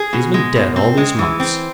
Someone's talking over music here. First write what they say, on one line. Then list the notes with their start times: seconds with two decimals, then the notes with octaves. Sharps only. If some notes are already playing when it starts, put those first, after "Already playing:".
She has been dead all these months.
Already playing: G#4
0.13 B2
0.34 G#3
0.55 B2
0.76 C4
0.97 G#3
1.19 E3
1.40 C4